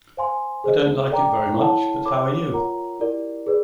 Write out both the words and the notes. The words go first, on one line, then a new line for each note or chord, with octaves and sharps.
I don't like it very much, but how are you?
C5 F5 G#5 C6
G#4 C5 D#5
A4 D5 G5 A#5 D6
E4 A4 C#5 F#5 A5
A4 C#5 F#5 B5 D6
F4 A#4 C#5 F#5 A#5
E4 G4 A#4 D5
G#4 B4 D5